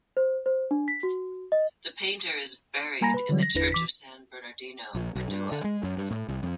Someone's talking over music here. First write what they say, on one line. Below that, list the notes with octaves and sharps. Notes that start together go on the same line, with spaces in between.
The painter is buried in the church of San Bernardino, Padua.
C5
C5
D4
B6
F#4
D#5
G3 A#3 G#5 A#5 B5 A#6
B4 B5
D3 E3 F#3 G3
A#6
G1 E2 D4 E4 B4 A#6
E3 D6 B6
A#1
B1
G2
D3
G#3
F#2
G2
A2
C2
F2